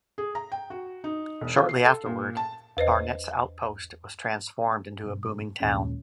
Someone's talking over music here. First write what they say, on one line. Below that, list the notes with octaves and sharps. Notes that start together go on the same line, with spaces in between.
Shortly afterward, Barnette's outpost was transformed into a booming town.
G#4
A#5
G5
F#4
D#4
E1
F4
C7
A4
A#2
A5
E2 B4 C5 D#5
G2 B2
D#2 A#2 G#3 C#4